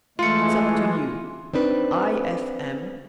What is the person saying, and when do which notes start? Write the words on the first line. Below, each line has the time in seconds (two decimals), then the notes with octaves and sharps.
It's up to you. I.f.M.
0.19 E3 G#3 A3 F4 C6 C#7
1.54 C4 D4 D#4 B4